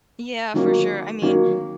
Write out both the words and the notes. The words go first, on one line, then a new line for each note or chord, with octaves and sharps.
Yeah, for sure, I mean,
D#3 F#3 A#3
D#3 F#3 A#3